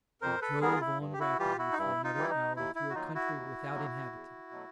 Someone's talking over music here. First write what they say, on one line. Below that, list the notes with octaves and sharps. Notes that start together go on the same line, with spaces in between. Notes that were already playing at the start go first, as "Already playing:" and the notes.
We drove on rapidly for another hour through a country without inhabitants.
F2 A#4 C5
A4 B4
D3 G3 B3 G#4 A#4
F4
E4
G2
G4
E4 F#4
E3 G3 F4 G4
E4 F#4
D#4
G2 E4
D#4 F4
E3 G3 E4
D#4
D#2 E4
E4
F#4
D#3 F#3 A#3 D#4 F4
E4 F#4
D#2
D#3 F#3 A#3
E2
B2 F#3 A3